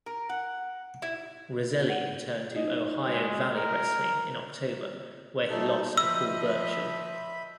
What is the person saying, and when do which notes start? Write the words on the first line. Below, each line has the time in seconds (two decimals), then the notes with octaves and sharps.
Roselli returned to Ohio Valley Wrestling in October where he lost to Paul Burchill.
0.06 A#4
0.30 F#5
1.02 E4
1.90 F#5
2.56 D#4 D#5
3.06 G#3 F#4 G#4 C#5
3.55 A#4
5.49 G3 A3 D#4 A4
5.97 F3 D#5 E5 B5 E6